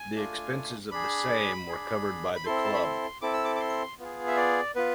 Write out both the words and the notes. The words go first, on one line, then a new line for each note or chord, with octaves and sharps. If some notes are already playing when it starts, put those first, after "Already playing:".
The expenses of the same were covered by the club.
Already playing: G#5
A3 D4 F4
D4 G#4 B5
D4 G#4
B5
C4 E4 A4 C6
A5
B5
C6
C4 E4 A4 D6
E6
D6
D6
C6
B3 F4 G#4
E5
D5
B3 F4 B4